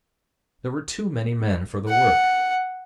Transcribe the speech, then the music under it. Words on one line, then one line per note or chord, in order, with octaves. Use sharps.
There were too many men for the work.
F#5